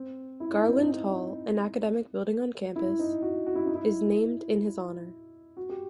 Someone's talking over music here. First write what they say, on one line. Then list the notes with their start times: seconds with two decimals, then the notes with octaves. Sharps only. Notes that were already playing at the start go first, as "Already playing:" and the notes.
Garland Hall, an academic building on campus, is named in his honor.
Already playing: C4
0.40 E4
0.54 D#4
0.68 C4
0.82 D#4
2.76 E4
2.99 D#4
3.22 F#4
3.46 F#4
3.55 E4
3.66 D#4
3.75 E4
5.57 F#4
5.69 G4